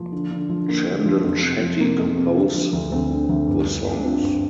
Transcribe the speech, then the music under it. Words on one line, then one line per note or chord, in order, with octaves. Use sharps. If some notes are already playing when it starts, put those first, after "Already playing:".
Chandan Shetty compose the songs.
Already playing: F3 A#3
D3
D3
F3
D3 A#3
D3
F3
F2
C3
F3
C3 A#3
F2
C3
D3
F3
D2
D2 C4
D3
D2
G2
G2
D3
D4
D3 C4 F4
G2